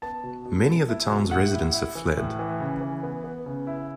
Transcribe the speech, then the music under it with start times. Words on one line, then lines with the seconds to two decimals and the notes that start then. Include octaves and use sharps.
Many of the town's residents have fled.
0.02 B3 A5
0.23 B2
0.45 B2
0.67 B3
0.89 E4
1.10 B2
1.31 A2 F#5
1.53 E4
1.74 E4
1.95 E3
2.18 A2
2.39 E3
2.60 C#3
2.81 E3
3.03 B3
3.24 B3
3.46 C#3
3.67 E4